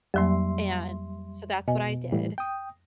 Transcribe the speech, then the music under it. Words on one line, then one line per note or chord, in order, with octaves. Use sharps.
and so that's what I did.
F2 F#3 G3 A#3 E5 C6
B2 D#5 G#5
A2 E3 G3
G5 D#6